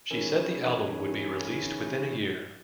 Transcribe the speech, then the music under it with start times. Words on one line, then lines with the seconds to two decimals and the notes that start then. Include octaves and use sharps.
She said the album would be released within a year.
0.11 E3 C#4 D#4 G#4 A#4